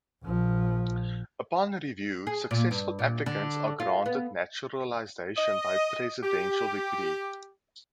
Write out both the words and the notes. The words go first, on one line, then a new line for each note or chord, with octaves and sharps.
Upon review successful applicants are granted naturalization by presidential decree.
A#1 F3
G#4
A#2
G2
A#2
D3
F4
B3
D#5
G4